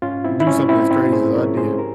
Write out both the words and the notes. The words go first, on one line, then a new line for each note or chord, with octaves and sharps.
do something as crazy as I did,
G#2 C#4 F4
C4 E4
E4
F3 G#3 C#4
C4 E4
G#2 C4 E4
G#4 C5
F3 G#3 A#4 C#5
G#4 C5
G4 A#4